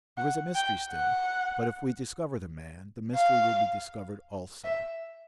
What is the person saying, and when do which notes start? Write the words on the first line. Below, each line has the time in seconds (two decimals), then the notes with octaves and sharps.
There is a mystery still, but if we discover the man, the mystery will be discovered also.
0.17 F#5
0.55 G5
0.91 F#5
3.15 F5
4.64 E5